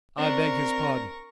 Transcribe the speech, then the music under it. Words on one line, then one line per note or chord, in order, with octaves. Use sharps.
I beg his pardon.
C4 D4 A#4 C#6